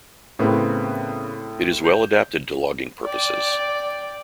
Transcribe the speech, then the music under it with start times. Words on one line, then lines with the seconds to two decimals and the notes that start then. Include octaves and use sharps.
It is well adapted to logging purposes.
0.39 A2 C#3 B3 C4 A#4
1.84 G6
3.06 D5 G5